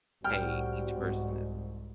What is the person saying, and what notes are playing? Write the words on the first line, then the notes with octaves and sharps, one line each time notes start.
hey, each person is
C2 A2 G3 C4 F#4 G5 F6
C2 G#2